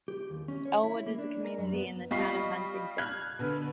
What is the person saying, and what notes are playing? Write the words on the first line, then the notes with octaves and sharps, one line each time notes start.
Elwood is a community in the Town of Huntington.
G4
D#2
C#4
C#5
E4
A#3
D4
A#4
F#2
B3
G3 F4 D#5 C#6 B6 C7
F6 F#6 G#6
B2 D3 B4